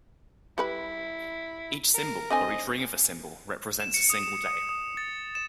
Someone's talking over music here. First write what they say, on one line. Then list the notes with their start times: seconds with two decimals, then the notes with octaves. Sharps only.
Each symbol, or each ring of a symbol, represents a single day.
0.58 G3 E4 B4 B5
1.94 A#4
2.30 D3 C4 D#5 G#5
3.80 E7
3.94 C#7
4.10 D#6
4.23 E7
4.46 D#6
4.69 D#6
4.97 A6
5.35 E7